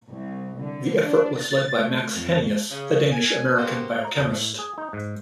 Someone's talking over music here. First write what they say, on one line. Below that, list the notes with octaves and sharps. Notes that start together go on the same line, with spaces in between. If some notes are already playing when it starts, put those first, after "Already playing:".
The effort was led by Max Henius, a Danish-American biochemist.
C2
D3
D4
A6
A3
F2
C#3
G#5
C#3 A#3 B3 F#4 G4 C5
A#5
F2
A2
G#4
D#4
G#2